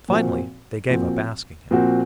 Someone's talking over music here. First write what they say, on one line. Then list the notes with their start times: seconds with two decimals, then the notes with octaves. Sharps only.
Finally they gave up asking him.
0.08 A#2 F3 C4 F#4
0.89 A#2 F3 C4 F#4
1.71 A#2 F3 C4 F#4